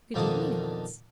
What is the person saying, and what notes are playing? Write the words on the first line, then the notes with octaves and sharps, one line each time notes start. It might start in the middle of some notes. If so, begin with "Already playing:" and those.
'Good evening, Hans.
F2 B2 D#3 A#3 D4 D#6